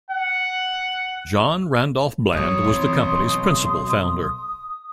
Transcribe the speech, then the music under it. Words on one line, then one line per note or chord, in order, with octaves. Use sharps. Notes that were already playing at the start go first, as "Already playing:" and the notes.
John Randolph Bland was the company's principal founder.
F#5
B1 F2 F#3 C#5 D#6
E3 C4 C6